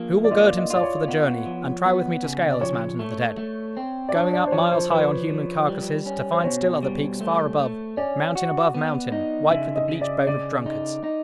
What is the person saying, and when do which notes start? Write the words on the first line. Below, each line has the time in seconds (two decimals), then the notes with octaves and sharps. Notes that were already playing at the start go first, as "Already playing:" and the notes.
Who will gird himself for the journey, and try with me to scale this mountain of the dead--going up miles high on human carcasses, to find still other peaks far above, mountain above mountain, white with the bleached bones of drunkards!
Already playing: F3 A#3
0.24 D5
0.31 F4 D#5
0.46 D5
0.57 D#5
0.70 F4
0.76 D5
0.83 C#5
1.08 B3
1.46 F3
1.85 B3
2.23 C#3
2.51 D5
2.61 F3 C#5
2.99 A3
3.38 A3
3.77 C4
4.09 D5
4.14 D4 C#5
4.33 D5
4.47 C5
4.52 F3 C#5
4.71 C5
4.91 F3 B4
5.29 F3
5.68 G3
6.06 C#4
6.32 C5
6.44 B2 C#5
6.83 G3
7.21 A3
7.60 A3
7.97 C#4 D5
8.36 F#4
8.74 B3
9.12 D#4
9.50 C#3 E5
9.76 D#5
9.89 C#3
10.01 D5
10.27 C#3 D5
10.66 D#4
11.04 D#4